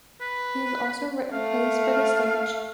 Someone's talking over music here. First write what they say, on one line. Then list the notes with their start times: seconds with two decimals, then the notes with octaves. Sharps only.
He has also written plays for the stage.
0.21 B4
1.32 A3 F5